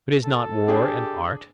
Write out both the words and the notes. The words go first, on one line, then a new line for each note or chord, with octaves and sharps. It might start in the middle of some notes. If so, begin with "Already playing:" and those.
But is not war an art?
A4
D4 G4 G#4